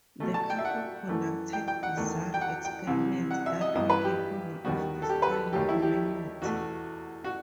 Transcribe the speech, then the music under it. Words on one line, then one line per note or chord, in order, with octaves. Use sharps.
The couple conducted bizarre experiments that were capable of destroying humanity.
B2 A3
A5
G5
E5
F#5
F#2 E3 A3
G5
G5
F#5
E2 D#3 A3
G5
F#5
G5
C2 C3 E3
F#5
E5
D#5
G2 E3 B3 D#5
B4
G4
D#2 D#3 G3 B3 F#4
A4
G4
B4
A4
D#2 D#3 F#3 A3 G4
E4
G4
E2 B2 A3 F#4
F#4